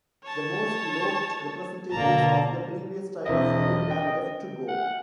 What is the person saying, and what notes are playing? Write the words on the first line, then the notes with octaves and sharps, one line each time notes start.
The most loathed representatives of the previous style of rule were left to go.
C#5 A5
B2 D3 A#3 A5 A#5
E1 C4 E4 D#5
G5
F#5